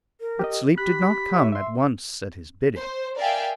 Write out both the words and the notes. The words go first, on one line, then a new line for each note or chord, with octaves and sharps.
But sleep did not come at once at his bidding.
A#4
G4 D#5
G4 B5 F#6
C#5 E5
E5 C6
C5
A#4 D5 E5 F5 G5 G#5